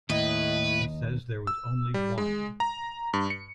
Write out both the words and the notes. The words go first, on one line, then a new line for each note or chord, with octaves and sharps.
He says there was only one.
D#2 A2 E4 B4 D#5
E6
G3
G#3
A#5
G2
C#7